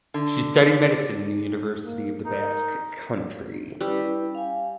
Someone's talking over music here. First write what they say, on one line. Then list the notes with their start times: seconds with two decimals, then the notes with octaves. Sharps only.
She studied Medicine in the University of the Basque Country.
0.14 D3
1.85 A#3
2.25 D#4 A#4
3.81 G3 C#4 E4 B4
4.35 F5 G#5